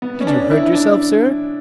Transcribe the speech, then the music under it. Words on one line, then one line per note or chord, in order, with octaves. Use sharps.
"Did you hurt yourself, sir?"
B3
C#4
D4
E4
D4